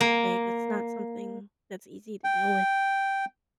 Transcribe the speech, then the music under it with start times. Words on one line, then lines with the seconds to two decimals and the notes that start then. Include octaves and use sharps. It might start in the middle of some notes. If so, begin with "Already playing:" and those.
like, it's not something that's easy to deal with.
0.01 A#3
2.24 G5